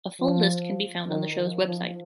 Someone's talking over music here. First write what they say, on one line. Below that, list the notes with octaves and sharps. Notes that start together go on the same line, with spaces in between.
A full list can be found on the show's website.
F3
D#3
F3
F3